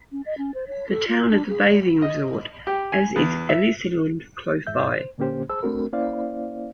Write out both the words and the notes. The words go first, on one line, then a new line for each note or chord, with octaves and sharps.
The town is a bathing resort, as is Elisenlund close by.
C#4
D#5
C#4
C5
C#5
A4
F4
D4
G#4
D5
D#5
G4
G#5
E2
E5
E2 G#2 E5 G6
C5
A#2 D3 A#3 C#4 G4 C5
G#4 C5 A5 E6
A3 C4 D4 F#4 A#4
A#3 C#4 E4 C5 D5 F5